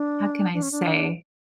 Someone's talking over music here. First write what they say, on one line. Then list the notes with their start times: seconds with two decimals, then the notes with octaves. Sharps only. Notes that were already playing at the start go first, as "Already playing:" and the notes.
how can I say?-
Already playing: D4
0.54 D4
0.62 C#4
0.72 D4